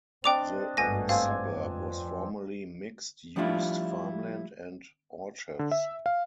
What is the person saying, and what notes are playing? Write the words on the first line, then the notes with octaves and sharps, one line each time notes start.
The suburb was formerly mixed used farmland and orchards.
C4 D4 D5 D#5 G5 D6 F7
G#1 G2 B2 A3 G#5 A#6
C4 D5 F5 G#5
F2 F3
F3 G3 A3 D4 E4 F4
D3
E5
F5